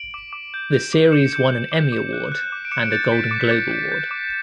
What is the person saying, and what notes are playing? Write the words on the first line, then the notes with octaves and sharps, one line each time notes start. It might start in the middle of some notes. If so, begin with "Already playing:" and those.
The series won an Emmy Award and a Golden Globe Award.
Already playing: D7 F#7
D6
D6
G6
G6
D6
D6 C#7 E7
G6
G6
D6
D6
F#6
F#6
D6
D7
D6 C#7 E7
D7
G6 A6 C#7
G6 B6
D6 C#7
B6
D6 A6 C#7
G6
G6
D6